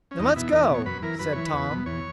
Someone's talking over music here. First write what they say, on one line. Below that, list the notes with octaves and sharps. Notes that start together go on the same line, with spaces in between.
"Then let's go," said Tom.
C#4
E2 D#4
B2 E4
E2 A#4
B2
C#5
F#2 B4
E3 A#4
F#2 B4
E3 C#5
B4
E2
B2
E2 C#5